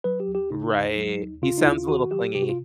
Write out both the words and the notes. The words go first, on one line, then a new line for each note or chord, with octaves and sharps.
Right. He sounds a little clingy.
F#3 B4
G4
D#2
G4
C#3 D#4
D#2
F#3
D#2
C#3 F4
D#4
D#2 E4
F4
D#3 F#4
F#3 G4
C3 G4
F#4
F4